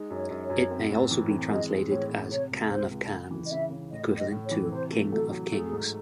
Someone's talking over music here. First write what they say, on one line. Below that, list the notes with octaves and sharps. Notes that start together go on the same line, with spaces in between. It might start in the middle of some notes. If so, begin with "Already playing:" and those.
It may also be translated as Khan of Khans, equivalent to King of Kings.
Already playing: G#3 D#4
F#2
C#5
F#2
C#5
F#2
C4
A2
E3
C4
G#3 D#5
G#3
A2 C#5
A2
C3 C#5
C#2
C#2 C5
C#2
C#3
E3
D#5
C#3 E5
C#3
A2 D#5
A2
D#5
A2
C#5
E3
A4
C3 C5
A3
F#3 A4
F#3
A3 G#4
G#2